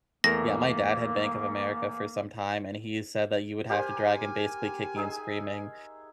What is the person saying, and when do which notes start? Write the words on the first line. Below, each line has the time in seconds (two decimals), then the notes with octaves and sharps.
Yeah, my dad had Bank of America for some time, and he said that you would have to drag him basically kicking and screaming
0.24 E2 A3 A#3 A#4 A#6
3.69 G4 A#4 C5 G#5
4.96 D#4 G#4 E5